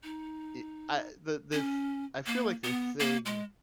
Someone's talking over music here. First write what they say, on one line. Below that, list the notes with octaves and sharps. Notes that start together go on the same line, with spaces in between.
I I the the th I feel like the thing
D#4
C#4
A#3
B3
A#3
G#3